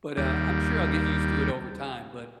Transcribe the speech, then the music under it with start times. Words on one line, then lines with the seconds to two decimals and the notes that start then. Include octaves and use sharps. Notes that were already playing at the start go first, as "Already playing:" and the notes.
but, uh, I'm sure I'll get used to it over time, but
0.17 D#2 G3